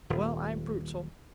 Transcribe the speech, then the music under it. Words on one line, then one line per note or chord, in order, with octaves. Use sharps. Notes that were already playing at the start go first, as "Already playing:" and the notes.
Well, I'm brutal.
D#1